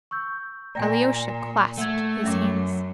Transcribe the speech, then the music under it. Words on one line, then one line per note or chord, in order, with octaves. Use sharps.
Alyosha clasped his hands.
C#6 E6 G6
A#2 D5 G5 G#5 A#5 A#6
A3 F#5 E6 G#6
F#2 C#4 E5 D6